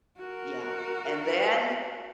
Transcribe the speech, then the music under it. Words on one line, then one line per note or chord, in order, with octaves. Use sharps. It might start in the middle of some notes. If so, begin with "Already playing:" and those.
Yeah, and then,
F#4 A#4